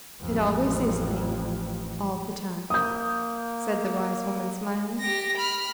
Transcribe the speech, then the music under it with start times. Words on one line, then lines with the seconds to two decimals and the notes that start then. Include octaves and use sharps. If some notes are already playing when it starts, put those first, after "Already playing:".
"It always is me, all the time," said the wise woman, smiling.
0.20 A1 F2
2.70 A#3 D#6 G6
4.99 G4 A#6
5.37 B5 F6